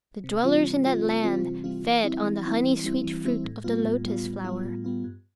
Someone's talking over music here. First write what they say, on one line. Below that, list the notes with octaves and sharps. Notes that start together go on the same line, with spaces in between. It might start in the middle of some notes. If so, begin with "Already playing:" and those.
The dwellers in that land fed on the honey-sweet fruit of the lotus flower.
C3
E3 G3 C4 F4
C3
E3 G3 C4 F4
C3
E3 G3 C4 F4
C3
E3 G3 C4 F4
E3
G3 C4 E4
E3
G3 C4 E4
E3
G3 C4 E4
E3
G3 C4 E4
A2
G3 B3 F4
A2
G3 B3 F4
A2
G3 B3 F4
A2
G3 B3 F4
G2